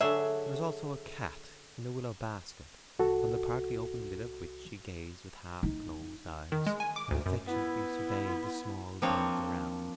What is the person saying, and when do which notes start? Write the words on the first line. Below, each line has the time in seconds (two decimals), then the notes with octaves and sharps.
There was also a cat in a willow basket, from the partly-opened lid of which she gazed with half-closed eyes, and affectionately surveyed the small birds around.
0.01 D3 F#3 G#4 E5
2.99 C2 F#4 A4
5.63 D#4
6.52 D#3
6.67 G#3
6.80 G#5
6.96 D6
7.11 D2
7.26 F#2
7.47 B3 E4
9.02 F3 A#3 C4 D4 C#5